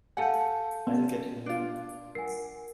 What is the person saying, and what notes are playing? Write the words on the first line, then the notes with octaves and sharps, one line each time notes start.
I'll get you home.
A4 F5 F#5 G#5 A5 G6
B3 C#4
D4 F4 D7
A#4 F#5 G#5 C7